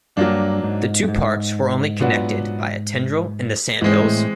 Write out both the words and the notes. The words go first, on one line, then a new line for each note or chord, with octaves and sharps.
The two parts were only connected by a tendril in the Sandhills.
G2 F#3 A#3 D4
G#2
G2
G#2
A#2 F#3 B3 D4 F#4
G#2 E3 G#3 C4
A2